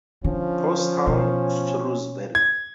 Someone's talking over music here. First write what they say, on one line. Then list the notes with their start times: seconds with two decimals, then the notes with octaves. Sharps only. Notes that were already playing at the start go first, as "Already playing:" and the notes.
Post town, Shrewsbury.
0.24 D3 F3 C#4
1.07 B2
2.35 G#6